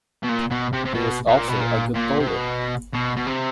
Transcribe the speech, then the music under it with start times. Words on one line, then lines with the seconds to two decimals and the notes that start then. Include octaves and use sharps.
He was also a good bowler.
0.23 B2
0.28 A#2
0.51 B2
0.73 C3
0.85 C3
0.94 B2
1.27 B2
1.37 A#2
1.48 B2
1.60 A#2
1.95 A#2
2.20 C3
2.27 B2
2.94 B2
3.17 B2
3.27 C3